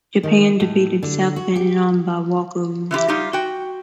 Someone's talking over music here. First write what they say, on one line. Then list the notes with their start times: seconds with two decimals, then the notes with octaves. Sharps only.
Japan defeated South Vietnam by walkover.
0.23 D#3
0.60 A2
1.03 D3
1.36 F#4
1.56 G4
2.91 E3 E4 F4 G4
3.08 G3 D#4 F4 G4
3.33 F#4 G5